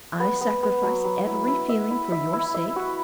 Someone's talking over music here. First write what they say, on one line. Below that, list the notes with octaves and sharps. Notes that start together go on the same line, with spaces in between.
I sacrifice every feeling for your sake.
B3
B3
B3
F#3
F#3
E4
E4
E5
E4
E5
E4
E5
F#4